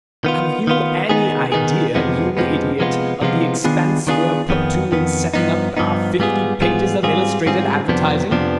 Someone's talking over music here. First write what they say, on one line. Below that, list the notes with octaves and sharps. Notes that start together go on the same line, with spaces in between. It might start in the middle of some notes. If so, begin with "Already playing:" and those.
Have you any idea, you idiot, of the expense we're put to in setting up our fifty pages of illustrated advertising?
D#3 B3 F4
D#3 B3 F4
D#3 B3 D#4 G#4
D#3 B3 D#4 G#4
F2 C3 F3 G#3 B3
F2 C3 F3 G#3 B3
C3 F3 G#3 B3 F4
C3 F3 G#3 B3 F4
D#3 B3 D4 F4 G#4
D#3 B3 D4 F4 G#4
F2 D#3 B3
F2 D#3 B3
G2 F3 B3 D#4
G2 F3 B3 D#4
G#2 G3 B3 F4 G#4
G#2 G3 B3 F4 G#4
G#2 G3 C4 F4 G#4
G#2 G3 C4 F4 G#4
F2 C3 F3 B3 D4
F2 C3 F3 B3 D4